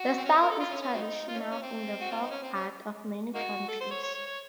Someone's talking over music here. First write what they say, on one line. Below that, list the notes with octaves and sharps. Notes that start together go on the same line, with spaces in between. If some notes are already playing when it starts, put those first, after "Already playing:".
The style is traditional in the folk art of many countries.
Already playing: F#4
C4
C#4
A#4
A4
F4
C#4
C#4
F#3 C4 D#4
F4
C#4
D#4
C#4
C4
F#4
F4
D#4
C#4
C4
C#4
A#3 D#4 F#4
A4
C5
C#5
C#5
C#5
C#5